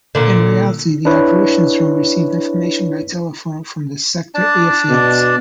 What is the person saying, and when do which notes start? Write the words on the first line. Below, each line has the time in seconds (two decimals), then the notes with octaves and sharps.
In reality, the operations room received information by telephone from the sector airfields.
0.15 A#2 D3
1.05 D4 E4 B4 C#5
4.35 D4 D5 A5
4.89 B2